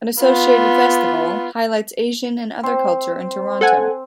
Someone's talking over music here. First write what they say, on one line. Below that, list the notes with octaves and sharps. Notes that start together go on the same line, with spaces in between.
An associated festival highlights Asian and other culture in Toronto.
B3 F4
C4 C5
A4 F#5 G#5